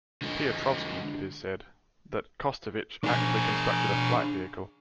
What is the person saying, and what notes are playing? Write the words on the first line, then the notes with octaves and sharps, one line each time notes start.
Piotrovski it is said, that Kostović actually constructed a flight vehicle.
D3 G#3
D4 G#4